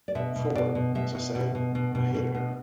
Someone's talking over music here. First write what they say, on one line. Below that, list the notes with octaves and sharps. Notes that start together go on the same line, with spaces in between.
For, as I say, I hated her.
D5
B2 E5
B2
B2 D5
B2
B2 E5
B2
B2
B2
B2
B2
B2
B2